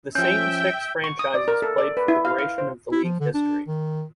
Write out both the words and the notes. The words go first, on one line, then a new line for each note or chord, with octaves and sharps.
The same six franchises played for the duration of the league history.
F3 C#4 E5 G5 G6
C#6
D#6
D5
A#4
A4
D5
B4
E4
F5
F5
C5
E4
F3
D3
D4
D#3